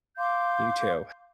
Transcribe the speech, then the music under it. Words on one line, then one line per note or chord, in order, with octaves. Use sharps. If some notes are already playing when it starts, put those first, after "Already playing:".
You too.
F5 C6 D6 G6